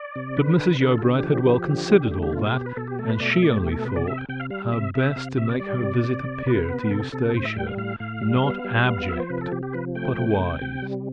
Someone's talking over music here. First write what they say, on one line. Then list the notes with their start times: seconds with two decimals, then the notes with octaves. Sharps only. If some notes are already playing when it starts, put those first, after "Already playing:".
But Mrs. Yeobright had well considered all that, and she only thought how best to make her visit appear to Eustacia not abject but wise.
Already playing: D5
0.16 C3
0.36 D3 B4
0.58 D3
0.80 D3 B4
0.92 A4
0.98 F4
1.02 D3 G4
1.14 G4
1.23 F3
1.45 F3
1.68 D3
1.89 D3
2.11 A3 G4
2.23 G4
2.33 B2 F4
2.44 G4
2.54 B2 G4
2.66 B4
2.77 B2 A4
2.87 G4
2.99 A3 A4
3.10 B4
3.20 B2 D5
3.31 E5
3.42 A3 D5
3.56 G4
3.64 B2
3.72 A4
3.85 C3 B4
3.96 D5
4.07 C3 E5
4.18 G5
4.29 C3 G5
4.40 F5
4.50 G3 F5
4.72 C3 E5
4.94 C3 E5
5.16 C3 F5
5.37 C3 E5
5.49 D5
5.60 G3 D5
5.82 C3
6.03 C3
6.26 C3
6.46 C3 B4
6.69 B3
6.90 C3 A4
7.12 C3 A4
7.34 A2 C5
7.45 E5
7.56 G3 G5
7.67 F5
7.77 A2 F5
8.00 A2 F5
8.22 G3
8.43 B3
8.64 G3
8.86 B3
9.08 F3 E5
9.20 C5
9.30 C3 B4
9.41 A4
9.51 C3 G4
9.63 G4
9.73 F3 B4
9.95 A3 G5
10.18 C3
10.39 C3
10.61 C3
10.82 G3